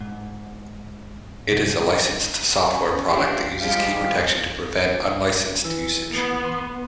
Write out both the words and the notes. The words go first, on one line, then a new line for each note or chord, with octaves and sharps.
It is a licensed software product that uses key protection to prevent unlicensed usage.
G#2
C2
C#4 C#5
D4 F4 G4
F3 G3 G#3 G4 F5
E3 E6
B3
C6